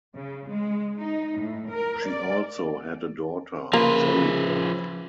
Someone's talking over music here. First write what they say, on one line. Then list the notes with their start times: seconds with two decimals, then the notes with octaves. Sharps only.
She also had a daughter, Jeri Brown.
0.15 C#3
0.49 G#3
0.97 D#4
1.39 A2
1.71 A#4
2.05 D5
3.73 C#3 F3 A#3 F4 B4